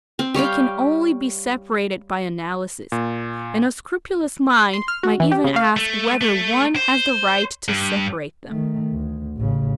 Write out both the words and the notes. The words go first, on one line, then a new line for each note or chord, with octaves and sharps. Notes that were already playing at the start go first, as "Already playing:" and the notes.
They can only be separated by analysis, and a scrupulous mind might even ask whether one has the right to separate them.
C4
G3 C#5 F5 G5
A#2
C6
F6
F#4
E3
G4
C#3
F5
A3
A3
C5
G2
D#3 A3
D2
A1 C#3